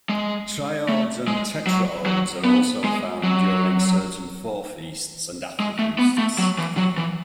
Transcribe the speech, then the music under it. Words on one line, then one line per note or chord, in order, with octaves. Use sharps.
Triodes and tetraodes are also found during certain Forefeasts and Afterfeasts.
G#3
A3
G#3
F#3
F#3
B3
G#3
F#3
G#3
A3
B3
A3
F#3
E3
F#3
E3